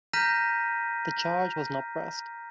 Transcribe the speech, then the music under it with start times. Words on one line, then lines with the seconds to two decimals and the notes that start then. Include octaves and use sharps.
The charge was not pressed.
0.14 A#5 F6 G6 A#6 B6 D#7